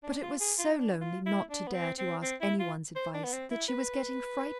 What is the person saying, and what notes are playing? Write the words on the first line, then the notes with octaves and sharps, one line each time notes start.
But it was so lonely not to dare to ask anyone's advice, that she was getting frightened.
D4
F4
G#4
F4
E4
D4
F4
E4
D4
B3
C4
C4
C4
E4
F4
C5
D4
B3
C4
E4
B4